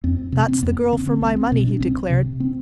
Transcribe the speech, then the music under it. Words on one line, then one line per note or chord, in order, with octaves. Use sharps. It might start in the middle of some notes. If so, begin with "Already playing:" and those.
"That's the girl for my money," he declared.
F2 C4
C3 C4
C4
F2 B3
D3 C4
C4
C2 B3
C4
B2 C4
D4
C2 C4
C3
C4